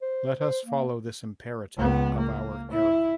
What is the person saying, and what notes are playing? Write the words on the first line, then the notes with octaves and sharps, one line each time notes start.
Let us follow this imperative of our era.
C5
C5
A#3
C#2 B3
A#3
E4